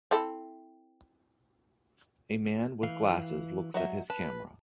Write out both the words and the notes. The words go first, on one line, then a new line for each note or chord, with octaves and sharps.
A man with glasses looks at his camera.
C4 E4 A4
E3 F5
F#3 D#5 E5
B4 A5